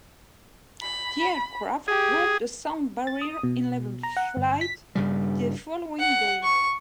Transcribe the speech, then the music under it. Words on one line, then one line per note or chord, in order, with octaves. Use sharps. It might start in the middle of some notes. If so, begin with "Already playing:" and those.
The aircraft broke the sound barrier in level flight the following day.
B5
G4 G#4
A6
D#6
B2
A#5
F#5
G1
B6
G2 C#3 G3
F#5
C#6